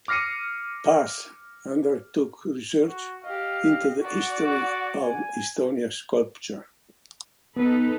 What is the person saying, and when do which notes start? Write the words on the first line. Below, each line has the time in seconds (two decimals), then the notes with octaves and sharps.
Paas undertook research into the history of Estonian sculpture.
0.08 D6 F6 A#6 C7 C#7 D#7
2.88 F#4
3.24 G4 D#5 F5
4.02 F#4 D5 F#5
4.44 F#4
5.01 G#5
7.56 B3 D#4 A4 B4